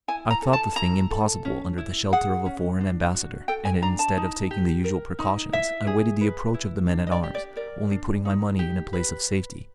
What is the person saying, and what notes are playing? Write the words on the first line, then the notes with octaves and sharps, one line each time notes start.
I thought the thing impossible under the shelter of a foreign ambassador, and instead of taking the usual precautions, I waited the approach of the men-at-arms, only putting my money in a place of safety.
E4 G#5
A#5
A4
A5
E4 A#5
A4
C#4
E4
G#4 F#5
C#4
D4
F#4
A4 G5
G#5
D4 A#5
A5
D#4
G4
A#4
D#4
E4 E5
G#4
B4
E4
D4
D#5
D5
G4
D5
A#4 D5
D4
D#4
G4
B4